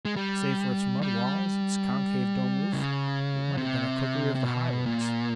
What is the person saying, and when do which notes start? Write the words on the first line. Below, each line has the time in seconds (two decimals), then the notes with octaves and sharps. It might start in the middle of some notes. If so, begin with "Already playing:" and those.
Save for its mud walls, its concave, dome-roof, it might have been a cookery of the Highlands.
0.05 G#3
0.16 G3
1.02 G3
2.73 C#3
3.57 C3
4.35 C3
4.44 B2
4.86 A#2